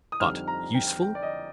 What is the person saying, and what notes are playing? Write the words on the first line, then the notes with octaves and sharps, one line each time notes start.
But, USEFUL?
D#6
F2 D3 G3 C4 D#4 F6
A#5
G5
G5
D5
D#5